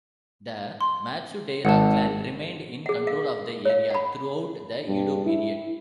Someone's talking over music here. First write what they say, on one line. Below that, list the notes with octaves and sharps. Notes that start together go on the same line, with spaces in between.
The Matsudaira clan remained in control of the area throughout the Edo period.
C6
G#1 F#5 A5
G#4 F#5
F5
C#5 F5
F#5 B5
G2
E4